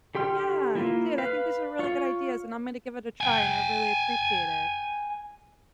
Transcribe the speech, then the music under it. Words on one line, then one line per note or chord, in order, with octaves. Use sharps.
Yeah, it did, I think these are really good ideas, and I'm gonna give it a try, and I really appreciate it.
D3 G4 G5 C6 F6
A#3 E4 F4
B4 F5
F4 C#5
G5 G#5